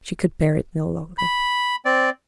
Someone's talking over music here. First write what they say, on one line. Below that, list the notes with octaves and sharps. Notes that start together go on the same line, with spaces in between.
She could bear it no longer.
B5
C4 D5